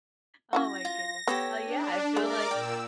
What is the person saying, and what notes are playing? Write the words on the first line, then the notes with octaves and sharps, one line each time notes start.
Oh my goodness. Uh, yeah, I feel, like
C#4 E4 F#4 A#6
F4
B3 G4 A4 C#5
D4
G#3 A#4 D5 E5 D6
A#2 G5 E6